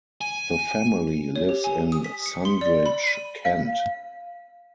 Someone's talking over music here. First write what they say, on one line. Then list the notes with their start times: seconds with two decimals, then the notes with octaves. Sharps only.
The family lives in Sundridge, Kent.
0.21 G#5
1.36 C#5
1.49 G4
1.64 G#5
1.92 D#6
2.04 B6
2.26 C#7
2.45 C6
2.61 D5
2.86 B5
3.07 D#7
3.45 F5